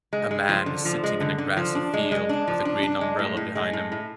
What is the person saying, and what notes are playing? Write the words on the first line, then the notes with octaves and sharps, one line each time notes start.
A man is sitting in a grassy field with a green umbrella behind him.
G#3
G#3
F3
D3
F3
G#3
D3
D3
F3
D4
G#3
G#3
D4
F3
D4
D4
G#3
A2
A2
G#3
A2
A2